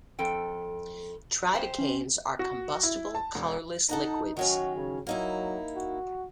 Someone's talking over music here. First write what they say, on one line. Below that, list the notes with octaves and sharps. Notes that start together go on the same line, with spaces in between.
Tridecanes are combustible colourless liquids.
F2 A4 G5
G4 C5
C#4
F#4
E4
A5
E1
D#4 A4 F#5 A#5
D#3 F#3 C#4 F#4
C#3
F#3 A#3 D#4 E4
F#4